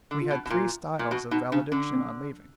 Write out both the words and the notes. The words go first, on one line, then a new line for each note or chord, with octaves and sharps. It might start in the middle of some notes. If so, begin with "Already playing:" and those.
We had three styles of valediction on leaving.
D3
F4
B2
B2
A#2 F4
A#2
B2 F#4
B2 D#4
C#3 D4
D3 C#4
C4